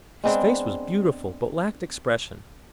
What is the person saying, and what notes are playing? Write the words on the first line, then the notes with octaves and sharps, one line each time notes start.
His face was beautiful, but lacked expression.
G#3 B3 C4 D4